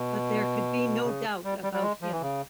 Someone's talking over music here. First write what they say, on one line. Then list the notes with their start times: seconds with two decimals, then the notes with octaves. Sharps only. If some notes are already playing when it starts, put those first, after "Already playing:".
But there could be no doubt about him.
Already playing: B2
1.04 C#3
1.44 G3
1.63 G3
1.73 G3
1.82 G#3
2.02 F3
2.12 E3
2.21 C#3